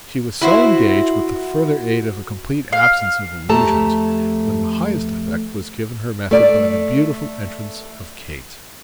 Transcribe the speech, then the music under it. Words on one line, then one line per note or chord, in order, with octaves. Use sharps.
She was so engaged, with the further aid of a complete absence of allusions, when the highest effect was given her method by the beautiful entrance of Kate.
E4 F#4 C5
F5
F2 A3 G4 A4 A5 A#5
A3 D5